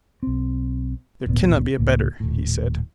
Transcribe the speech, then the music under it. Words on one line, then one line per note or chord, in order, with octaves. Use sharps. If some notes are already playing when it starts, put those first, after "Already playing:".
There cannot be a better, he said.
B1 C4
D1 G#1 A#2 B3
C#2 A2 A#3
D#1 A2